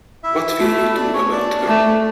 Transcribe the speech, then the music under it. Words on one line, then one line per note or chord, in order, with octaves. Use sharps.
What will you do about her?
E4 E5
A3
D4 D5
C#4 C#5
D4 D5
A3